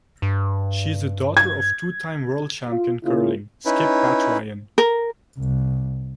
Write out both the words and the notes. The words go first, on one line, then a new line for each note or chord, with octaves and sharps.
She is the daughter of two-time world champion curling skip Pat Ryan.
G2
G#6
F4
C#3 A#3 E4 F4
C#4 D#4 E4 B4
A#4
C2